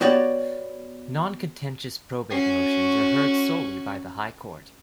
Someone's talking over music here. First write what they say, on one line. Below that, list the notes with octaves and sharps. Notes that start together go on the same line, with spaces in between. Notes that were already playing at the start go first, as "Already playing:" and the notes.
Non-contentious Probate motions are heard solely by the High Court.
B3 F#4 G4 C#5 D5
C#4 F#4